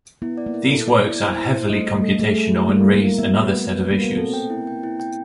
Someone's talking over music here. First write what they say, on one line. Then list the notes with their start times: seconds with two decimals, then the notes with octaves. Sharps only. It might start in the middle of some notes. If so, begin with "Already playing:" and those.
These works are heavily computational and raise another set of issues.
0.22 B3 E4
0.38 D5
0.46 A#3
0.54 E4
0.71 A4
0.88 D5
1.05 E4
1.21 C5
1.38 E4
1.53 C5
1.70 A3 D#5
1.87 D#5
1.95 A3
2.03 A4
2.19 A3 G#4
2.36 G#4
2.53 E4
2.68 A#3 E4
2.85 E4
2.94 A#3
3.02 E4
3.18 B3 E5
3.35 F#4
3.52 B4
3.67 B4
3.84 B4
3.91 A#3
4.00 B3 F#4
4.17 C4 A4
4.34 G5
4.50 E4
4.67 G5
4.83 E4
5.00 G5